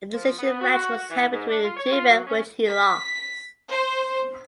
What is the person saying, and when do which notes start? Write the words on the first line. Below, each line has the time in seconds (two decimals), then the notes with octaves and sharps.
A decision match was held between the two men which he lost.
0.14 F3
0.39 B3
0.61 F#4
1.11 E3
1.32 G#2
1.49 D4
1.64 F4
1.77 C#5
1.93 F4
2.10 F#3
2.27 C#4
2.68 B6
3.71 C5